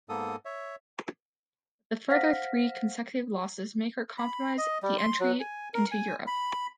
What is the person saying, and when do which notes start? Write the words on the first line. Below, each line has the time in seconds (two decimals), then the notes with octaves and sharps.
But the further three consecutive losses make her compromise the entry into Europe.
0.09 G#2 A#3 B3 A4 D#6
0.45 C#5 E5
2.09 C5 F5 F#5 F6 A#6 B6
4.18 B5
4.58 D#5
4.83 G3
4.98 C6
5.20 F#3
5.40 G#5
5.74 A#4
5.91 G#5
6.27 B5